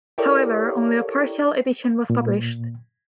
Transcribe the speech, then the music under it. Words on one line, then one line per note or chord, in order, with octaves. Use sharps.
However, only a partial edition was published.
E4 G4 A4 A#4 C#5 D5
A#2